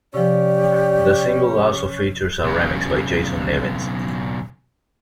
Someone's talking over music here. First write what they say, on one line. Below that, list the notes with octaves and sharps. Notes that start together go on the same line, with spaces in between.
The single also features a remix by Jason Nevins.
C3 F3 C#4 G4 D5
B1 C#3